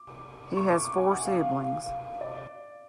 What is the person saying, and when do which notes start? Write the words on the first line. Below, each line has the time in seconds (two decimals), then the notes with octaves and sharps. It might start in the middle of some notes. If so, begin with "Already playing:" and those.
He has four siblings.
Already playing: D6
0.57 C#6
0.71 D6
0.85 D6
0.98 G#5
1.12 F#5
1.25 F5
2.21 D5